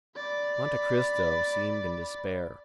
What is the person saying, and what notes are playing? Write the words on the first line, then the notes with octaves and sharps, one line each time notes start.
Monte Cristo seemed in despair.
D5 B5